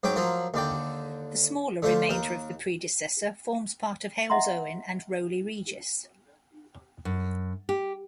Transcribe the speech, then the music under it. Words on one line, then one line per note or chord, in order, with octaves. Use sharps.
The smaller remainder of the predecessor forms part of Halesowen and Rowley Regis.
G#2 F#3 C#4 G5 D6
F3 F#3 A#3 F4
D#2 D3 D5 G5
D3 A3 F4 C5
D#2 A#4
D#5 E5 F#5 A#5 C6
F#2
G4